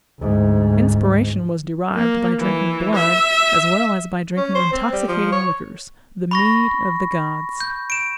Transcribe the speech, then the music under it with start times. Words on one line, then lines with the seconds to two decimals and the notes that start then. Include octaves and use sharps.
Inspiration was derived by drinking blood as well as by drinking intoxicating liquors--the mead of the gods.
0.20 D2 G#2
1.95 A#3
2.40 E3
2.94 E5
4.37 C#4
4.55 C5
4.73 C4
4.93 G3
5.08 F3
5.32 C#5
6.31 B5 C#6 A#6
7.60 G6
7.90 D7 E7